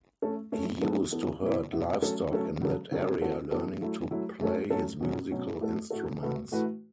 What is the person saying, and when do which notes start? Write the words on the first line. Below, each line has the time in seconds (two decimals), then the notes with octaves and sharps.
He used to herd livestock in that area, learning to play his musical instruments.
0.22 A3 C#4 A4
0.52 A3 C#4 A4
0.82 E3 B3 A4
1.12 E3 B3 A4
1.42 B2 B3 E4
1.72 B2 B3 E4
2.02 F#3 A3 C#4 A4
2.31 F#3 A3 C#4 A4
2.61 C#3 F#3 C#4 A4
2.91 C#3 F#3 C#4 A4
3.21 E3 B3 F#4 A4
3.51 E3 B3 F#4 A4
3.81 F#3 A3 E4
4.11 F#3 A3 E4
4.41 F#3 A3 C#4 A4
4.70 F#3 A3 C#4 A4
5.01 B2 F#3 C#4
5.31 B2 F#3 C#4
5.60 A2 A3 F#4 A4
5.90 A2 A3 F#4 A4
6.21 A2 E3 A3 F#4 B4
6.51 A2 E3 A3 F#4 B4